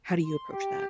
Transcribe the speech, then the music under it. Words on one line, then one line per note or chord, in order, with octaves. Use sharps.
how do you approach that?
C6
G4